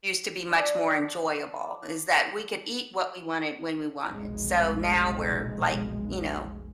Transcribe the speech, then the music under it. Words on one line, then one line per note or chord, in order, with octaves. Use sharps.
used to be much more enjoyable is that we could eat what we wanted when we wanted. So, now we're, like, you know,
F3 D4 D5 A5
F1 B1 F2 A#2 G#3